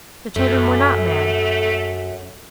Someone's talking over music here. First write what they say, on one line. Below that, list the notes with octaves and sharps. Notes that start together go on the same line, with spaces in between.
The children were not mad.
F#2 A3